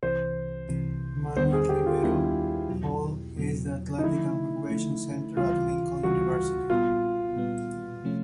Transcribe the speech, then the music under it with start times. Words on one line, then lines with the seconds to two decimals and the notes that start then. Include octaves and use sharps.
Manuel Rivero Hall is the athletic and recreation center at Lincoln University.
0.03 C2 C3 E3 C5
0.69 C2 C3 E3
1.36 D#2 D#3 G3 B3 D4 C5
1.53 G#4
1.69 G4
1.86 F4
2.03 D#2 D#3 G3 B3 D4 E4
2.69 E2 B2 F#3
3.37 E2 B2 F#3
3.98 D#4
4.03 D3 F3 A3 E4
4.70 D3 F3 A3
5.36 D2 C#3 E3 G3 F4
6.03 D2 C#3 E3 G3 F#4
6.70 A#2 G3 B3 F4
7.36 A#2 G3 B3
8.04 C3 F3 A3 C#4